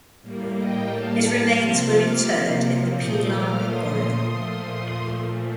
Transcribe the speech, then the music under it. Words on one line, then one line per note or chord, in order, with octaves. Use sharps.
His remains were interred in the Pilar Memorial.
A2 G3 A#3
D#5 G5
F5 A5
C3 F3 A#3 A5 C6
D6 F6
A#2 F3 A3 D#6 G6
D6 F6
C6 D#6
A#2 F3 A3